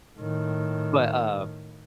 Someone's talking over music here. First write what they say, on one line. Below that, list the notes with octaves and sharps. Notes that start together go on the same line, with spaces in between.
But, uh,
A2 D#3